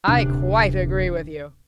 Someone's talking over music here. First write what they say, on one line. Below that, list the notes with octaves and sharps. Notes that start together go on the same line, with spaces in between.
"I quite agree with you."
D1 C3 D4